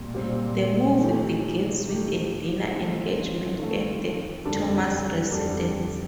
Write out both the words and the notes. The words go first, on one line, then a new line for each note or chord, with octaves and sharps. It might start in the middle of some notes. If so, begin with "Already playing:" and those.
The movie begins with a dinner engagement at the Thomas residence.
Already playing: A#2 G3 C4
A#2 G3 C4
D#3 A3 D#4 G4
D#3 A3 D#4 G4
D#3 A3 C4 F4 A4
D#3 A3 C4 F4 A4
F2 D3 G3 D4 A4
F2 D3 G3 D4 A4